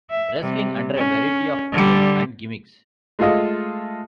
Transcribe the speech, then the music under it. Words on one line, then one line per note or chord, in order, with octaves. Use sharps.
Wrestling under a variety of names and gimmicks.
E5
C3 G3
C#4
D3 G3
G#3 A3 F4 A4 D#5